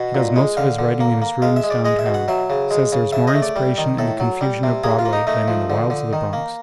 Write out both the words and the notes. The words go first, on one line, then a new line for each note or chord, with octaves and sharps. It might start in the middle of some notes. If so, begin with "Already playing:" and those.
He does most of his writing in his rooms downtown; says there's more inspiration in the confusion of Broadway than in the wilds of the Bronx.
Already playing: B2 F#5
A#2
G#3
D3 F5
D3
A#3
A#3
G#3 F5
E5
G#3
D5
G#3 D#5
E5
B2
F#5
F#3 E5
C#3
G#3
C#3
C#3 E5
D#5
A3
D5
G3
D#3
A2 A4
F#3
G3
C3
A#3 G#4
F4
A#3
D#4
A3 D#4
F3
D3
D3
D#3
A#3